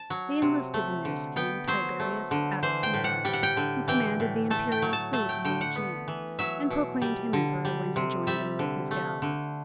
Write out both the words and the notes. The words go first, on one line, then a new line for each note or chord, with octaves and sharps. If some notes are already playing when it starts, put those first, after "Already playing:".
They enlisted in their scheme Tiberius Apsimarus, who commanded the imperial fleet in the Aegean, and proclaimed him emperor when he joined them with his galleys.
Already playing: A5
F#3
C3
A3
D3
B3 G5
F#3 C5
A3
D3
E3 C5
G5
A2
F#5
G3 G5
F#5
G5
D3
E3 G5
A2
A3 A5
G5
F#3
A5
A3 A5
G5
D3 G5
F#5
B3
E3
F#3 E5
B2
G3
D3
G3
C3
G3 E5
D3
A3
D3